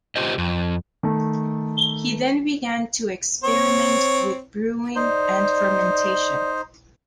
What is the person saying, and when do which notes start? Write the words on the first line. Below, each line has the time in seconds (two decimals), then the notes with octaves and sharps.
He then began to experiment with brewing and fermentation.
0.16 F4 G4 C5 D#5
0.38 F2
1.03 D#3 A3 A4
3.44 C4 C#5
4.96 D#4 C5 D5